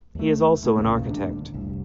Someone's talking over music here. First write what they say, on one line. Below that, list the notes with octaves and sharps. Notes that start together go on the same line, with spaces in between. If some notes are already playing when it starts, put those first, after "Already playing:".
He is also an architect.
D#2 A3
A#2
B1 E2 A#2 C#3
D#1 D2 D4
F1 C2